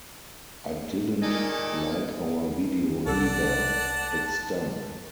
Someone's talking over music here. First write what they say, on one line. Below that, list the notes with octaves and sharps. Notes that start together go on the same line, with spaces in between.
I didn't like our video either-it stunk!
A#2 D#3 G#4 A4 D5 D#5
C2 A4 D5 F#5 A5